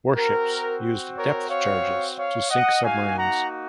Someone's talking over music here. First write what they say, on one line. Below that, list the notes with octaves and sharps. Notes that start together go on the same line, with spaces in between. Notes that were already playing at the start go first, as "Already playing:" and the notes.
Warships used depth charges to sink submarines.
C4 F#4 A#4
A#4 C#5
C#5 F5
C#5 F5
D#5 F#5
A#3 D#4 F#4 F5 G#5
F#5 A#5